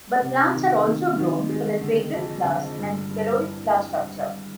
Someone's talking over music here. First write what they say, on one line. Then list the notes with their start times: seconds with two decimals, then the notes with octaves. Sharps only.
But plants are also grown for their fragrant flowers and peloric flower structure.
0.22 C3
0.53 D#3
0.86 D#3
1.17 D#3
1.49 G#3
1.81 D3
2.13 F2
2.45 D3
2.78 G2
3.10 G2
3.42 E3